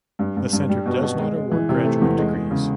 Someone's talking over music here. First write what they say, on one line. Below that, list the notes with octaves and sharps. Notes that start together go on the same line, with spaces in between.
The Center does not award graduate degrees.
G2
G2
G2
G3
B2
B2
G#3
G#3
E3
C3
A3
E2
G#3
G#3
C#3